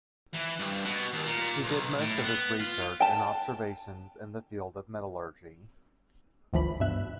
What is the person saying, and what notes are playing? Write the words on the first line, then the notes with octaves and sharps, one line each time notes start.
He did most of his research and observations in the field of metallurgy.
E3
G2
B2
D#2
A#2
B1
A2
B3
F4
G5 A5
G1 D2 E3 F3 B5
G2 B2 E5 F#6